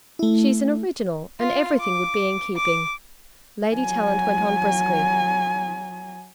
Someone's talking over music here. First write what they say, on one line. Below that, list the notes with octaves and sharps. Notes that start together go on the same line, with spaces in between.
She's an original, and everything would be in keeping.' Lady Tallant went on briskly.
A3 E4
F4
D6
D6
F#3 G#5